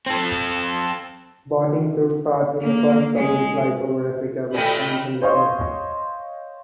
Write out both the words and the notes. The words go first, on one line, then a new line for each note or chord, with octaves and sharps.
Botting took part in the first balloon flight over Africa, with Anthony Smith.
C4 A4
A#3
G#3
A#2 A3 D#5 G5 B5
C5 C#5 D#5 F5 C6 C#6